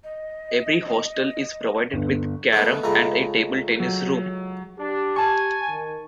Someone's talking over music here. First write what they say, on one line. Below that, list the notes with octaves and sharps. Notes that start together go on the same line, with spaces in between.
Every hostel is provided with carom and a table-tennis room.
D#5
G1
A3 B3 D#4
C#2 A3 D#5 A#5 B5
F#3
D4 G4
G#5 A5 C#6
D#3